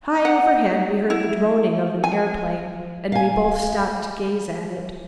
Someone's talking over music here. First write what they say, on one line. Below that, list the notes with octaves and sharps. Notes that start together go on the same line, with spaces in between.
High overhead we heard the droning of an aeroplane and we both stopped to gaze at it.
F#5
E4
G#5
F5 G#5